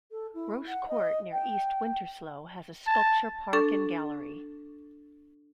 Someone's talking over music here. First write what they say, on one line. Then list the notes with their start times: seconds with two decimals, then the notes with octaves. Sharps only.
Roche Court near East Winterslow has a sculpture park and gallery.
0.11 A4
0.34 E4
0.66 F#5
0.88 D#5
1.32 G5
2.87 A5
3.53 D4 A4 C#6 A6